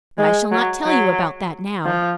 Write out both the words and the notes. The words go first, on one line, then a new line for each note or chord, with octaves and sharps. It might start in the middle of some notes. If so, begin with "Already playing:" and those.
But I shall not tell you about that now.
G#3
F#3
F#3
F3